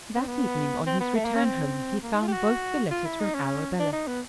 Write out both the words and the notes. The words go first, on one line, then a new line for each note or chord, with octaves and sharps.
That evening on his return home he found both the letters from Arabella.
C4
B3
C4
B3
A3
A#3
C#4
C4
A#3
D#4
F4
G4
F#4
F4
E4
D#4
C#4
D4
D#4
B3